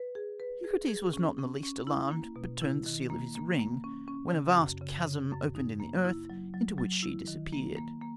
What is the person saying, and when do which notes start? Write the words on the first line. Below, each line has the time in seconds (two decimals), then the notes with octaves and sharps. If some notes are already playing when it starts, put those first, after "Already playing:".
Eucrates was not in the least alarmed, but turned the seal of his ring, when a vast chasm opened in the earth, into which she disappeared.
Already playing: B4
0.15 G#4
0.40 B4
0.64 G#4
0.88 G#4
1.13 C#4
1.39 C#4
1.63 C#4
1.87 E4
2.11 A#3
2.36 B2
2.61 E4
2.86 D#3
3.10 A#3
3.35 A#3
3.59 A#3
3.84 C#4
4.08 C#4
4.32 C#3
4.57 F#2
4.81 C#3
5.07 C#3
5.32 F#2
5.55 D#4
5.80 A#3
6.04 E4
6.30 F#3
6.54 F#3
6.78 F#3
7.03 E4
7.27 D#3
7.53 A#3
7.76 A#3
8.01 A#3